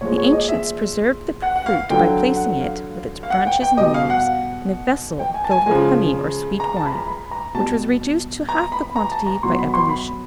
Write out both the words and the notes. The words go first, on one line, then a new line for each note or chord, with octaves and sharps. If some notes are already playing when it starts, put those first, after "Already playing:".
The ancients preserved the fruit by placing it, with its branches and leaves, in a vessel filled with honey or sweet wine, which was reduced to half the quantity by ebullition.
A#2 F3 G#3 C#5
C#5
D#5
E5
F#5
F#5
F5
D3 F#3 G5
F#5
F5
F5
F#5
G5
G5
B2 G3 D#5
F5
F#5
G5
G#5
A5
G#5
C#3 F3 G#3 G#5
A#5
A5
B5
A#5
B5
A#5
B2 G3 A5
A#5
B5
A#5
A5
A#5
B2 F#3 C6
B5
C6
B5